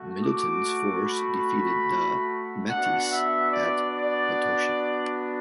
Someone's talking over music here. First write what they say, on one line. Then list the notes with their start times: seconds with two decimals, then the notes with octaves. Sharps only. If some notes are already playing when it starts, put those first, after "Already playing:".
Middelton's force defeated the Metis at Batoche.
Already playing: A3 F#4
0.23 D6
1.05 B5
2.69 B3 D4 F#4 F#5
3.10 E5
3.52 D5
3.93 D5